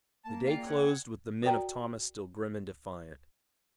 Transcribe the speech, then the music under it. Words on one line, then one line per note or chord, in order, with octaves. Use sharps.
The day closed with the men of Thomas still grim and defiant.
A#3 A5
F4 G#4 D5 G5
C4 C#4 F#5 G#5
F#4 A#4 D5 G5 A#5